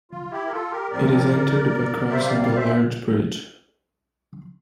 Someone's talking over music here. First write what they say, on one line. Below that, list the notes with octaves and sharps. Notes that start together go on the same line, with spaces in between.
It is entered by crossing a large bridge.
F4
E4 G4
A#4
F4 A4
G4 A#4
A2 F3 C4 A#4 D5
C3 G3 A#3 C5 E5
D5 F5
D5 F5
C5 E5